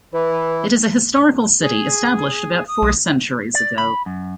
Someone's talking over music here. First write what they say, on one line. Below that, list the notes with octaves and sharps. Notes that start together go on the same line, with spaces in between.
It is a historical city established about four centuries ago.
E3 E4 B4
G#4
D#6
B1
D5
B5
F#2